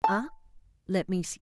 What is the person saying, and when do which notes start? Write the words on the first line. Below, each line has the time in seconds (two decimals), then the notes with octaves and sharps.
Ah! let me see!
0.04 A5